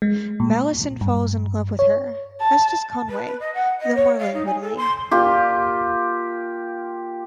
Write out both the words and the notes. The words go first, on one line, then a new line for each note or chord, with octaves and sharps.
Mallinson falls in love with her, as does Conway, though more languidly.
G#3
A#2
G2
C#5
A5
B4
B4
D#5
F#5
D#5
C#5
F5
D#4
G#5
A4
C6
A#3 F4 G4